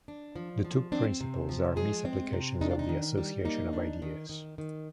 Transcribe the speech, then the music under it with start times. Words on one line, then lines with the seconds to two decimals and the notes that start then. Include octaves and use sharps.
The two principles are misapplications of the association of ideas.
0.08 D4
0.36 F3
0.65 F3
0.92 C4 D4
1.21 C3
1.49 F3
1.76 G#3 G#4
2.05 C4
2.33 C3
2.61 D4 D#4
2.71 F4
2.79 D#4
2.89 D#3
3.18 G3
3.45 A#3 D#4
3.73 D4
4.02 D#3
4.29 D#3
4.58 D#3